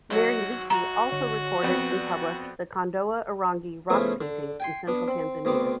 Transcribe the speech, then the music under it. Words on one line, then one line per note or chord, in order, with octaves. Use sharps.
Mary Leakey also recorded and published the Kondoa Irangi Rock Paintings in central Tanzania.
G#1 F#3 F#4
F#4 A#5
G1 D3 C#5
F2 B3 C4 D5
C#3 F3 A3 B3 E4
D3
G5 G#5 C6
B3 D4
C4
D2 B3 C4 D6